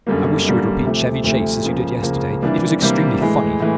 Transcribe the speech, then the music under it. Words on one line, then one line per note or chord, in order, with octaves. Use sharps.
I wish you would repeat Chevy Chase as you did yesterday: it was extremely funny.
F#2 D3 G3 A#3
F#2 D3 G3 A#3
D2 C3 F3 A3
D2 C3 F3 A3
C#2 C#3 F3 A#3
C#2 C#3 F3 A#3
C3 E3 G3 A#3 D4
C3 E3 G3 A#3 D4
A2 E3 G#3
A2 E3